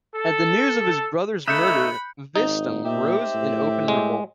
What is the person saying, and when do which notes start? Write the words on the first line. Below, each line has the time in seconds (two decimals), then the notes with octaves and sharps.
At the news of his brother's murder, Vistahm rose in open revolt.
0.15 A4
1.48 C#3 A3 D#4 E5 B5 F#6 G6 C#7
2.36 G#1 D#4
2.85 A#2 C4 G4 E5
3.34 A2
3.88 G#3